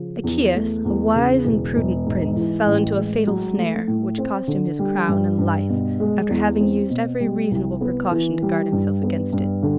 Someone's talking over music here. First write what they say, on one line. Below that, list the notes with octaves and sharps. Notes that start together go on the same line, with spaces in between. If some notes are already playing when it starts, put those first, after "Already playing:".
Achaeus, a wise and prudent prince, fell into a fatal snare, which cost him his crown and life, after having used every reasonable precaution to guard himself against it.
Already playing: C#3 F3
E2
A3
E2
C#3
E1
E1
G#2
E3
A1
G#3
F#3
A3
A2
C4
D3
G3
G2
G2
B2
G#3
E2
C4
B2
G3
C2
B3
E3
G3
G2
B3
G2
D3